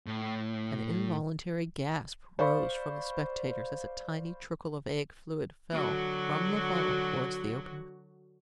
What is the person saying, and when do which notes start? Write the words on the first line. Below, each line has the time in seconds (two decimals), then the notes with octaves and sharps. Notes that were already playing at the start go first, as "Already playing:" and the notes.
An involuntary gasp arose from the spectators as a tiny trickle of egg fluid fell from the funnel towards the open beaker.
0.07 A2
2.39 C5 D5 F5 B5 C#6
5.73 D3 F#3 F#4